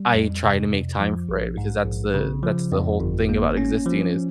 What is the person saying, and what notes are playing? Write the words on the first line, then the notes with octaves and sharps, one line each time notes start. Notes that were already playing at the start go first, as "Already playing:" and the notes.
I try to make time for it because that's the that's the whole thing about existing is
Already playing: G3
F2
C3
F2
F3
A#1
G#2
A#1
C#3
F3
F2
G1
A#3
C#4
F3